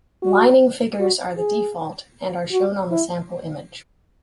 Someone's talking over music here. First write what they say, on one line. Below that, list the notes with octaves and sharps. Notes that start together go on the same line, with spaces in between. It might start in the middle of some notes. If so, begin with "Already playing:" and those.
Lining figures are the default, and are shown on the sample image.
F#4
F#4
G#4
F#4
E4